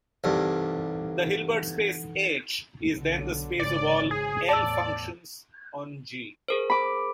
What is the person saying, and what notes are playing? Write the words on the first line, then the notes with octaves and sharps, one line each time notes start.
The Hilbert space "H" is then the space of all "L" functions on "G".
C2 G2 E3 D#4 A4 F#5
B1 D3
G#1 C#3 D5
G#4
E2 A2 D5 A5 E6
G#4 A#4 C5
B5 D6